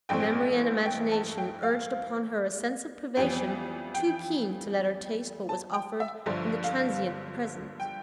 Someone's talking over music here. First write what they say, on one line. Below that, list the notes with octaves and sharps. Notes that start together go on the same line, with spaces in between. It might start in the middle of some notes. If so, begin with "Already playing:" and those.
Memory and imagination urged upon her a sense of privation too keen to let her taste what was offered in the transient present.
A1 G2 E3 A3 C4 G5
G5
A5
G5
F5
F2 E3 G3 B3 G5
G5
A5
G5
E5
G1 G2 D3 F3
F5
G5